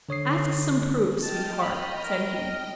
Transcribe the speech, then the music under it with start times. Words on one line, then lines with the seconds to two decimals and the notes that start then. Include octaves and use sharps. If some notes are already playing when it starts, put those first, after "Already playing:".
'Ask some proof, sweetheart,' said he.
0.09 D3 C#5 D#6 C7
1.23 D#5 G5 A5 F6
1.61 B5
2.04 A#4